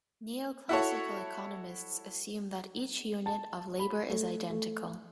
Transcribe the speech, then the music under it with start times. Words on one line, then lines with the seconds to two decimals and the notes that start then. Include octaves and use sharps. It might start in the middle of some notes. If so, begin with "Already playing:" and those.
Neoclassical economists assume that each "unit" of labor is identical.
0.69 E4 F#4 A4 C#5
3.26 A5
3.79 B5
4.10 A3
4.50 A3